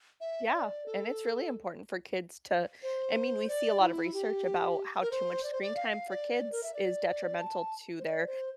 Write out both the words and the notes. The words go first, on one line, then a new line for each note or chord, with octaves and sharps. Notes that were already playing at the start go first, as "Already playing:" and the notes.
Yeah, and it's really important for kids to I mean, we see a lot of research about how too much screen time for kids is detrimental to their
E5
D5
A4
C5
D5
E4
G4
A#4
C5
D5
C5
D5
F5
D5
D5
A#4
E5
D5
A5
C5
D5
C5